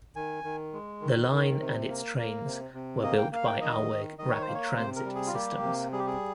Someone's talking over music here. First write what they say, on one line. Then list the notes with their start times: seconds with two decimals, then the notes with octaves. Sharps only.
The line and its trains were built by Alweg Rapid Transit Systems.
0.15 D#3 G#5
0.44 D#3
0.73 G#3
1.01 D#3
1.31 D#3
1.60 C3
1.88 A#3
2.18 A#3
2.45 C3
2.74 C3
3.03 A#3 D#5
3.18 G5
3.32 A#3 F5
3.47 G5
3.61 D#3 D#5
3.91 D#3
4.18 D#3 D#5
4.30 C#5
4.42 C5
4.48 A#3
4.54 C#5
4.65 A#4
4.76 C3 C5
4.96 A#4
5.05 G3
5.15 G#4
5.27 F4
5.34 A#3 G4
5.63 C3
5.92 G3 G#4
5.99 G4
6.07 G#4